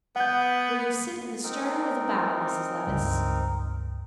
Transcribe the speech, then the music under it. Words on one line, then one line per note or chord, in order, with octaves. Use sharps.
"Will you sit in the stern or the bow, Mrs. Levice?"
B3 F#5 G6
C4 D#4 A#4
C#2 G2